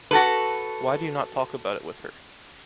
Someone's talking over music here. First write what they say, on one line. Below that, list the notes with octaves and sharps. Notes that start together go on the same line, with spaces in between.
Why do you not talk about it with her?
F#4 A4 B4